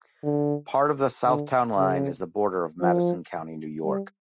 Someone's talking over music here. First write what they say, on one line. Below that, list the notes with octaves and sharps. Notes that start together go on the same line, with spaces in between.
Part of the south town line is the border of Madison County, New York.
D3
D3
C#3
F3
G3